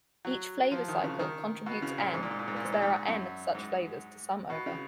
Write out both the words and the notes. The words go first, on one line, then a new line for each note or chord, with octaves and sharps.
Each flavor cycle contributes N because there are N such flavors to sum over.
F#3
F3
D#3
C#3
D#3
B2
C#3
A#2
G#2
A#2
G#2
A#2
G#2
A#2
G#2
A#2
G#2
F#2
G#2
B2
C#3